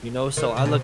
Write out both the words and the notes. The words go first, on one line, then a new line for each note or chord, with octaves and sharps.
you know, so I look
D#3
C3
B2